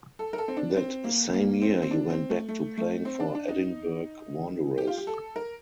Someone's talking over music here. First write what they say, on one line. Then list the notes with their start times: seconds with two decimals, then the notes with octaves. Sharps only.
That same year he went back to playing for Edinburgh Wanderers.
0.19 A4
0.33 A#4
0.38 A4
0.48 C4
0.57 D4
0.76 C4
1.04 A#3
1.33 A#3
1.62 C4
1.82 C4
1.91 D4
2.10 C4
2.30 A3
2.49 A3
2.77 A3
3.05 C4
3.20 D4
3.35 D4
3.48 D#4
4.78 G4
4.87 F4
4.97 G4
5.07 A4
5.36 A#4